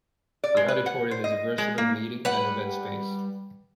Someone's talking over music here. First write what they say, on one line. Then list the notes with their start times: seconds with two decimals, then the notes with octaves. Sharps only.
The auditorium is a versatile meeting and event space.
0.44 D5
0.57 G#3
0.68 B4
0.86 F#5
1.11 C5
1.24 D#5
1.58 G#3
1.78 A#3
2.25 G3 B4 F#5